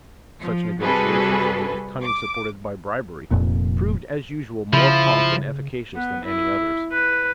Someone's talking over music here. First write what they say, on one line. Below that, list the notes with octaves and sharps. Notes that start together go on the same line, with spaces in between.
Such negotiations, made with cunning supported by bribery, proved as usual more prompt and efficacious than any others.
F3
C3 G3 F#4 G#4 A4 B4
D6
F1 F2 A#2
C#3 F3 E4
B3
E4
B4